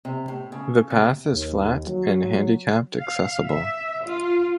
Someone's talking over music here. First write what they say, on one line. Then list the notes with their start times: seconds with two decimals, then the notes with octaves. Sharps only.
The path is flat and handicapped-accessible.
0.05 C3
0.28 A2
0.52 C#3
0.90 C3
1.32 D#2
1.86 F#3
2.99 F5
3.49 E5
4.07 F4